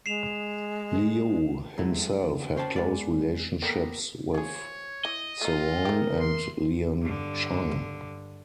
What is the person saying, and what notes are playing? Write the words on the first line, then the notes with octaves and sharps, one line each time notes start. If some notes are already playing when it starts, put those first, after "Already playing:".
Liu himself had close relationships with Soong and Lien Chan.
G#3 C7 E7 F7
F#3 G#3 A3 E4
C#4 C5 G5 A5
G#3 B3 D5
A#3 B3 A4 A#4 D5 G5
F3 G#4 C#5
E3 D#5
A3 D#4 F4
A3 G4 A#4
C6
G2 D3